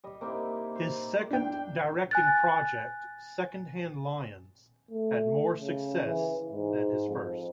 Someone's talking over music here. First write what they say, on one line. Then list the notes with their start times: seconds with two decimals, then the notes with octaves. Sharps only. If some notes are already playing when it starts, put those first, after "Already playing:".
His second directing project, "Secondhand Lions" had more success than his first.
0.04 G3 D#5
0.21 A#3 C4 D#4 E4
0.75 C5
1.30 D4 G5
2.11 G#5 F#6 A6
4.91 A3
5.60 C#3
6.05 E3
6.52 G#2
7.09 F2